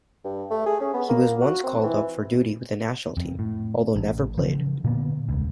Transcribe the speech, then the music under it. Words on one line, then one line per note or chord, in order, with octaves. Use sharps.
He was once called up for duty with the national team, although never played.
G2
A3
G#4
C#4
B3
A#3
F#4
C4
E3
F2
A2
A1
C#3 E3 F3
A#2 D3 A#3 B3
E1 C#2